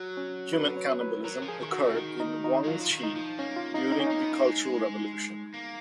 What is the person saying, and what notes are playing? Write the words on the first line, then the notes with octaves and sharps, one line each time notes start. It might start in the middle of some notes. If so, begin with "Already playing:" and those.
Human cannibalism occurred in Guangxi during the Cultural Revolution.
Already playing: F#3 F#4
C#4
B4
C#5
B4
F#3 A#4
F3
G#4
D#3
F#4
C#3
D#3 D#4
D#4
D#4
G#3
F#3 F4
F3
D#3
D#4
F3
A#3 C#4
F4
A#3 D#4
D#4
C#4
A#3 D#4
B3
A#3
G#3
A#3